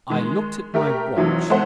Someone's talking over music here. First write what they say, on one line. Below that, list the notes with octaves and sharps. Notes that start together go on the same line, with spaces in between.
I looked at my watch.
D#3 G#3
A3 G4 A#4
F2 C3 E3 F#3 A3 E4
G#3 B3 E4 A4 C5 F#5